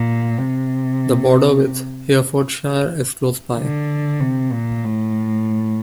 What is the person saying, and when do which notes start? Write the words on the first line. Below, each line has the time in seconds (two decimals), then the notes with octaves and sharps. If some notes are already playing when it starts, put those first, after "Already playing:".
The border with Herefordshire is close by.
Already playing: A#2
0.38 C3
3.58 D3
4.21 C3
4.52 A#2
4.85 A2